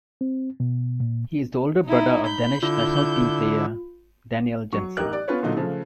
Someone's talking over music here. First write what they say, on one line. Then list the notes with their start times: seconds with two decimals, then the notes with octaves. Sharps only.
He is the older brother of Danish national team player Daniel Jensen.
0.21 C4
0.60 B2
1.00 A#2
1.85 D#4 E4
2.27 B5 G6
2.63 D3 E4 F4
4.72 F#3 C#6
4.97 A1 D#4 G4 A#4 F#6
5.13 D5
5.28 B3 C#4 F4 B4 C#5
5.42 A#2 D3 F#3 D#4 F4
5.57 C#3 F3 A3